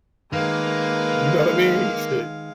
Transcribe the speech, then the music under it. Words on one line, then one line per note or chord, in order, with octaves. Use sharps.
you know what I mean, he said
D#3 G#3 A#3 A#4 B4 F5